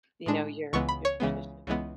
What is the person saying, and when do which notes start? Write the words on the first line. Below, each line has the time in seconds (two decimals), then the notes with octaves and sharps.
you know, your your traditions.
0.26 A2 G#3 D4
0.73 C#2 C#3 E3 G#3 B3 C#6
0.89 B5
1.05 C#5
1.20 C#2 C#3 E3 G#3 B3
1.67 C#2 C#3 E3 G#3 B3